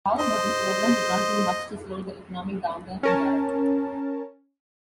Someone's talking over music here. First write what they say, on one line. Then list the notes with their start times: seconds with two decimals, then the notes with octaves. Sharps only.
However, this program did not do much to slow the economic downturn in Europe.
0.19 C5 D#5
3.03 C#4 A#4 A5